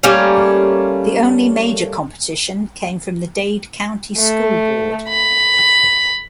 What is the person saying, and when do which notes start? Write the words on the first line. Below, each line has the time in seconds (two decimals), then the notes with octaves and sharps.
The only major competition came from the Dade County School Board.
0.03 G3 A3 A#3 C#4
4.18 A3
5.08 B5